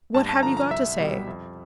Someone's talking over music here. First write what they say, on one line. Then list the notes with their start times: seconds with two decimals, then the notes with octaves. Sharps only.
What have you got to say?
0.14 G2 A5
0.29 A5
0.43 D3 F3 A#5
0.57 A#5
0.70 C2 E5
0.99 B2 G3
1.27 F2